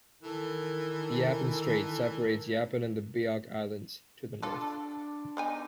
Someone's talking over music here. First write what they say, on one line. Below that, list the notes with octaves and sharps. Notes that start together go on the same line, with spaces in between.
The Yapen Strait separates Yapen and the Biak Islands to the north.
D#3 E3 A4
D4 F4 A4
B3 D#4 G#5